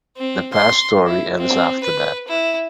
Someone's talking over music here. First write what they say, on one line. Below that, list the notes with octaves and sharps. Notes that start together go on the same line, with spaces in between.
The past story ends after that.
C4
C6
E4
C4
B4
E4